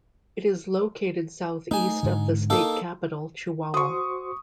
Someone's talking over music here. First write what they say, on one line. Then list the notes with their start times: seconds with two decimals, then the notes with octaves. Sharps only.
It is located southeast of the state capital, Chihuahua.
1.71 A3 D#4 G#5
2.03 G#2 D3
2.50 A#3 D#4 A4
3.74 F#4 C5 C6 C#6 D#6